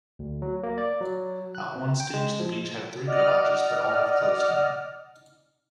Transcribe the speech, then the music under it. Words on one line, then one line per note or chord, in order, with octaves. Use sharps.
At one stage the beach had three garages but all have closed now.
D2
F#3
A#3
D5
F#3
F#6
C4
G5
G#3
F3
D5 D#5 F#5 F6